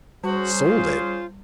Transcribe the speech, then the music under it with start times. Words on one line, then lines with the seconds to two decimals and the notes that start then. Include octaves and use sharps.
Sold it!
0.24 G3 C#4 F#4 G#4 C5
0.64 F4